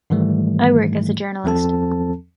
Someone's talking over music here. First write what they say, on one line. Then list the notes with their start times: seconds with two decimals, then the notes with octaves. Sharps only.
I work as a journalist.
0.10 G#2 D#3 E3 G3 A3
1.44 E2 F3 C4 A4 A5